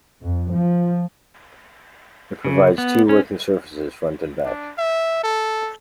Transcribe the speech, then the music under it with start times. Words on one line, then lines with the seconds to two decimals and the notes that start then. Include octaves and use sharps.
It provides two working surfaces, front and back.
0.22 F2
0.52 F3
2.45 C#3
2.78 B3
3.09 C#4
4.45 D4
4.78 E5
5.23 A4